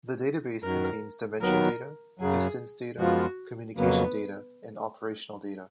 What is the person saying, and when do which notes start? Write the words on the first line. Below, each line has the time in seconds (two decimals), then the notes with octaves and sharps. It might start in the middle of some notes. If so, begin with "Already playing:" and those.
The database contains dimension data, distance data, communication data and operational data.
0.62 F#2 D#3 F#3 A#4
1.41 D#2 D#3 F#3 B3 A#4
2.19 F#2 C#3 F#3 G#4
2.98 F#2 F3 G#3 B3 F4 F#4
3.77 F2 C#3 F#3 A#3 B3